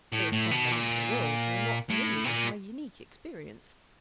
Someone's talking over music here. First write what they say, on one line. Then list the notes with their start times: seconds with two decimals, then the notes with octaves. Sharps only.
There are still many in the world who are not familiar with my unique experience.
0.12 A2
0.32 A2
0.51 B2
0.72 A#2
1.90 A2
2.24 B2
2.28 A#2